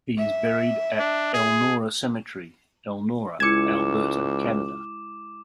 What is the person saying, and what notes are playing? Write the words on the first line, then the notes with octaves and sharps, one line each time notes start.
He is at buried at Elnora Cemetery, Elnora, Alberta, Canada.
E5
D4
G#4
C#2 G#3 E4 D6 G#6 C#7 E7